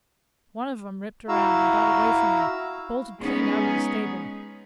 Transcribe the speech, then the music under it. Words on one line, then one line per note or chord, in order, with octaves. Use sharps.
One of 'em ripped around and got away from him--bolted clean out of the stable.
E4 F#4 F5 A#5 E6
G#3 B3 C#4 D#4 G#4